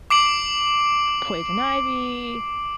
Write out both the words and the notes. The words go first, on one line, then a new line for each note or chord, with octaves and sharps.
poison ivy,
D6 C7 D7 F#7